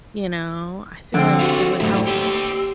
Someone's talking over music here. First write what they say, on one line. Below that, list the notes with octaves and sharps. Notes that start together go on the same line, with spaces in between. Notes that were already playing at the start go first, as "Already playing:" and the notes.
you know, I feel like it would help
D3 F3 C4
F#4 G4 F5
F#2 A2 E4
G4 C#5